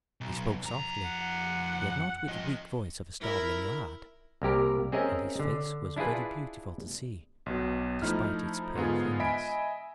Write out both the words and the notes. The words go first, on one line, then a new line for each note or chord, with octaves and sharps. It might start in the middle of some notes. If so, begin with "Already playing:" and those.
He spoke softly, yet not with the weak voice of a starving lad; and his face was very beautiful to see, despite its pale thinness.
B1
F2 A#5
F#5
F3 D#5
E4 A#4
C2 A#3 G4 A#4
C4 C#4 G#4 A#4 D#5 E5
D3
D4 E4 F4 G#4 B4
B1 B2
F3 A3 D#4 E4 F6
G#2 D3 B3 F4 G#4
D#5 E5 G#5 B5 B6 D7